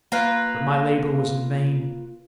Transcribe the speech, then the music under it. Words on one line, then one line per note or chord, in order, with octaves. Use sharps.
But my labor was in vain.
A#3 F4 B4